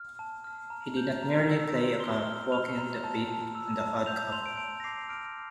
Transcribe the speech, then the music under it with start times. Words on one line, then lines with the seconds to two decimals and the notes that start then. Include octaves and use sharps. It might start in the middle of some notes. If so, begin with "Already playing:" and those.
He did not merely play a cop walking the beat on 'The Odd Couple'.
Already playing: F6
0.19 A5
0.44 F6
0.70 A#5
0.96 G6 F7
1.23 A#5
1.49 E6
1.73 C6
2.00 C6 G7
2.26 F6
2.52 F6 F7
2.78 A#5
3.04 A5
3.28 A5
3.55 E6
3.81 A5
4.06 G6 F7
4.19 F7
4.32 C6 F7
4.46 D7
4.57 A5 D7
4.80 A#6
4.84 D6 C7
5.09 F6 D7